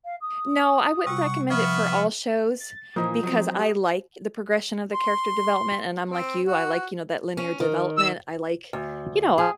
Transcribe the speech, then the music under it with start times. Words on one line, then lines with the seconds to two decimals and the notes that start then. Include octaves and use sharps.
No, I wouldn't recommend it for all shows because I like the progression of the character development, and I'm like you, I like, you know, that linear development, I like, you know,
0.05 F5
0.21 D#6
1.07 C3 G3 F#5 C#6
1.50 F3 B3 E5 C#6 F6
2.60 A6
2.96 A#2 E3 F3 A#3 D#4
3.23 F#3 C4
3.56 G4
4.94 C6
6.10 C4
6.46 F#4
7.37 C#4
7.60 D#3
7.97 E6
8.73 D2
9.38 G#4